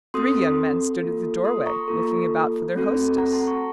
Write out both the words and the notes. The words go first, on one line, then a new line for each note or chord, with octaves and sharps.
Three young men stood at the doorway looking about for their hostess.
C4 F#4 A4 C6 D#6
A#3 F4 A4
C6 D#6
A#5 C#6
A#3 F4 A4
A3 C4 F#4 A4
F#5 A#5
A5 C6
A#5 C#6